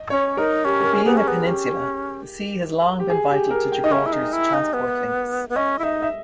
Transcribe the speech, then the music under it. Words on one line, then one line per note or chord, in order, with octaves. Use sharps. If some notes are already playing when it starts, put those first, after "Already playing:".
Being a peninsula, the sea has long been vital to Gibraltar's transport links.
Already playing: D#5
C#4 C#5
D#4 A#4
C#4 G4
A#4
G#4
B3 G4
C#4
B3
C#4 G4
G4
G#4
G4
A#4
G5
D#4 D#5
C#4 E5
E4
D#4
E4
D#4
B3
B3
C#4 D#5
E4
D#4 E5
E5